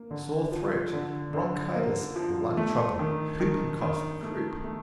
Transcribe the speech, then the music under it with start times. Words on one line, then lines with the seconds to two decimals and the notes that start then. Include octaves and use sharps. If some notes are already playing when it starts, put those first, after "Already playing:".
Sore throat, bronchitis, lung trouble, whooping cough, croup.
Already playing: A#3
0.11 D3
0.52 F3
0.93 D3
1.34 D3
1.75 A#3
2.16 F3
2.57 A3
2.99 D#3
3.40 D#3
3.81 D#3
4.23 A3
4.64 A3